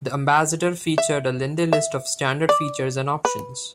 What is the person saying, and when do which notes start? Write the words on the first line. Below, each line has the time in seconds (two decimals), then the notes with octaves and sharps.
The Ambassador featured a lengthy list of standard features and options.
0.98 E5
1.73 E5
2.49 D5
3.25 B4